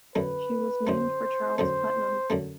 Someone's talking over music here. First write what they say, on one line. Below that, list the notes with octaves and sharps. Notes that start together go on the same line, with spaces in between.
She was named for Charles Putnam.
F#2 D3 A3 B4
F#2 D3 A3 C5
F#2 D3 A3 C5
F#2 D3 A3